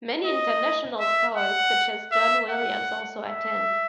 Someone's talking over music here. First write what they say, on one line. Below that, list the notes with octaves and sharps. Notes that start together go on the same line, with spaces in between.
Many international stars, such as John Williams, also attend.
D#5
E5
F#5
E5
F#5
E5